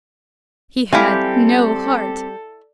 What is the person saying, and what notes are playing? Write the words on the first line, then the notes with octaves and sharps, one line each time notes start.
He had no heart.
G3 C4 E4 G4 A4 F5 G#5